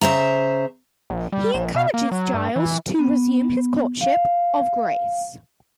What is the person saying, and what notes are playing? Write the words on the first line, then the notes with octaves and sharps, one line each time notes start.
He encourages Giles to resume his courtship of Grace.
C#3 C5 E5 A#5
A#1
G3
A#1
B2
A#3
F#3
G2
E3
B3
F5